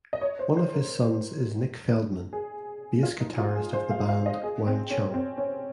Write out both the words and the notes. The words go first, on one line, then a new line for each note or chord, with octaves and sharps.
One of his sons is Nick Feldman, bass guitarist of the band Wang Chung.
D#5
C#5
C5
C5
A#4
G#4
F4
D#4
F4
G#4
C5
F5
F5
D#5
G#4
C4
C#4
C4
C#4